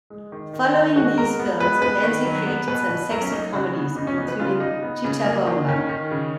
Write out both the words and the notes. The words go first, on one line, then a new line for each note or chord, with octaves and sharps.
Following these films, Lenzi created some sexy comedies, including "Cicciabomba".
G#3
D#3
D#3
D#3
G#3 F#4
G#3 A#4
B3
G#3 B4
B3 B4
D#3
F#3
B3
B2 B4
B2
F#3 A#4
C#4
F#3 D#4
C#3 F#4
B3
C#3 D#4
C#4
B3 D#4
B4
C#3 F4
C#3 D#4
B3
C#3
A#3
D#3
D#3 C#4
D#3
C#3